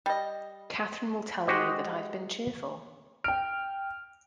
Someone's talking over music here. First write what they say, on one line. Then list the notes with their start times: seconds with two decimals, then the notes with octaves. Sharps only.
Catherine will tell you that I have been cheerful.
0.06 G3 D#5
1.47 G#3 F#4 G4 C5 D#5
3.24 G5 F6 D7